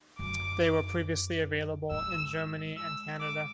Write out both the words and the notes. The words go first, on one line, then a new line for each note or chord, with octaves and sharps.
They were previously available in Germany and Canada.
F#2 D6
G#2 E6
E6
D6